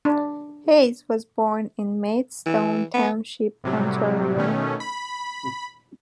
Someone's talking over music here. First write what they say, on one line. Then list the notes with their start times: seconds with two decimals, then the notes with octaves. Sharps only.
Hayes was born in Maidstone Township, Ontario.
0.05 D4
2.46 E3
2.94 B3
3.64 A2 C3 F#3 G3
4.36 B2 D#3 A3 C#4
4.80 B5